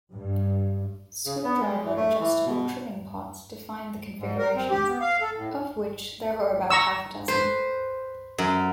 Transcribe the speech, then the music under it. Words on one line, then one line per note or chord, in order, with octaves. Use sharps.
Screwdriver-adjustable trimming pots defined the configurations, of which there were about half a dozen.
G2
C#3
B3
G#3
E3
A3
E3
B2
G#2
A#4
C4
G4
B3
F5
A4
A2
A#5 C#6 E6
B4 C5
F#2